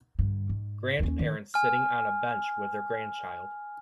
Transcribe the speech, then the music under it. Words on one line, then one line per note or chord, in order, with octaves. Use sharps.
Grandparents sitting on a bench with their grandchild.
G2 D3
G#2
D#2 C#4
D#3
G#5 F6